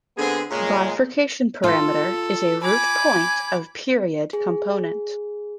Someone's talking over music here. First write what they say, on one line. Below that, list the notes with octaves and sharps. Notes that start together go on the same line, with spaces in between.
Bifurcation parameter is a root point of period- component.
D3 B3 C4 G#4
A#2 C#3 G#3
F4 A4
G#5 B5 D6
G#4